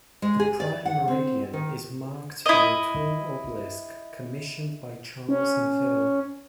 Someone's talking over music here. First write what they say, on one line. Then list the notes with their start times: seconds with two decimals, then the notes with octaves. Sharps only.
The Prime Meridian is marked by a tall obelisk, commissioned by Charles Neville.
0.22 G#3
0.40 G#4
0.60 D5
0.86 F#5
1.08 C4
1.53 D#3
2.46 E4 D#5
5.29 C#4